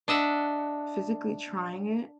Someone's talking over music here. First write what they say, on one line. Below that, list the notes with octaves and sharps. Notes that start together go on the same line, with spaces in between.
physically trying it
D4 D#5 E5 F#5